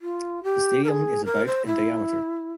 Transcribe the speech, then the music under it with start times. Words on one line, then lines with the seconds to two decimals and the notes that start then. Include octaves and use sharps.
The stadium is about in diameter.
0.01 F4
0.43 G4
0.84 A#4
0.88 G#4
1.25 A#4
1.46 C5
1.66 E4